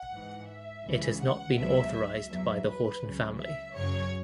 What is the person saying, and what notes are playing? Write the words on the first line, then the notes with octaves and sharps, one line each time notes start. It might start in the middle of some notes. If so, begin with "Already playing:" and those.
It has not been authorized by the Haughton family.
Already playing: F#5
G#2 E3
E5
C#2 C#3 E3
F#5
C#2 B2 F#3 E5
E5
E2 B2 F#3 E5
B4
C#2 C#3 F#3
E5
F#2 C#3 F#3 C#5